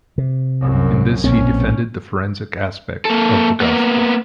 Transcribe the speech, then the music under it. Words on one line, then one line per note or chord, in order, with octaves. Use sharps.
In this he defended the forensic aspect of the gospel.
C3
C2 F#2
A#1 B2 A#3 C4 C#4
A#3 A4
A#3 B3